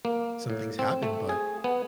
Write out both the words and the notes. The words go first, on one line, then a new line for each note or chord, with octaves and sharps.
some things happen, but,
A#3
A2
C4
A3
G#4
B3